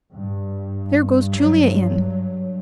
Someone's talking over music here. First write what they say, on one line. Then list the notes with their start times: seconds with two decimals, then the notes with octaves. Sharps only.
There goes Julia in.
0.15 G2
1.33 F#3